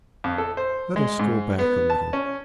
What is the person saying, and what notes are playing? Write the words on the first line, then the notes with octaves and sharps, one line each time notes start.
Let us go back a little.
F2
A4
C5
G#3
G#2
B3
A5
C#4